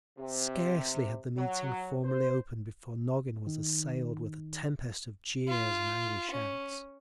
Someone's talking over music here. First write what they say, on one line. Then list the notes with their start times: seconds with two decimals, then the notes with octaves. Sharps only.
Scarcely had the meeting formally opened before Nogin was assailed with a tempest of jeers and angry shouts.
0.18 C3
1.38 F#3
2.04 C5
3.47 D#3
5.48 F4
6.31 C#4